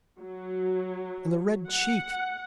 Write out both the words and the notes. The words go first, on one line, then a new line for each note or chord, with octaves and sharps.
And the red cheeks!
F#3
F#5